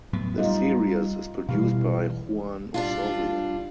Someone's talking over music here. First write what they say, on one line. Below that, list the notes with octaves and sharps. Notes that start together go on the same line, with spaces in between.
The series is produced by Juan Osorio.
A2 F#3 B3
G3 D#4 F4
B2 E3 G3 F5
G3 D4 F4